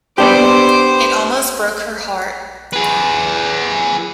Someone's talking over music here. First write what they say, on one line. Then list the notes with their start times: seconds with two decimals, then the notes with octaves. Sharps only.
It almost broke her heart.
0.18 B3 D4 G4 C5 D6
2.73 G#4 B4